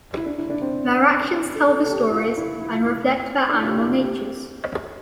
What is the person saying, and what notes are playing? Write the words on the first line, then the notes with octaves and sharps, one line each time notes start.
Their actions tell the stories, and reflect their animal natures.
E4
D4
E4
D4
C4
D4
E4
A4
A4
A4
G4
E4
F4
E4
E4
F4
E4
D4
E4
F4
G4
E4
F4
G4